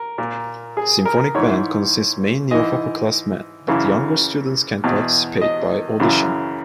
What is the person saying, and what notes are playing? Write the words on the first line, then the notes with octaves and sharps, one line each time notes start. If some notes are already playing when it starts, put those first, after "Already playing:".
Symphonic Band consists mainly of upperclassmen, but younger students can participate by audition.
Already playing: A#4
A#2
G#4
A#4
G#2 E3 C#5
G#2 E3 D#5
F#2 C#3 E3
E2 B2
D#5
F#2 C#3 E3